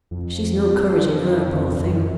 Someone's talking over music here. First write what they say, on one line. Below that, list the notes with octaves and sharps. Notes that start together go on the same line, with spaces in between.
She's no courage in her, poor thing!'
F2
F2
F#2